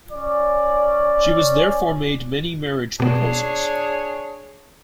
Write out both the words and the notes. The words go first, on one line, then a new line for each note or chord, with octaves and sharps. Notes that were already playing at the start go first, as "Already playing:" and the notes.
She was therefore made many marriage proposals.
C#4 D5
B2 B3 D4 G#4 C#5